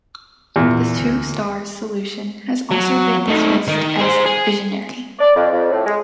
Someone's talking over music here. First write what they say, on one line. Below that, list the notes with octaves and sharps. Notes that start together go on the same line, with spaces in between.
The "Two Stars" solution has also been dismissed as visionary.
E2 A#2
D2
F#3
A3 D#4
D#3
G#4 C5
G#4
D5
F2
F2
A2
G#3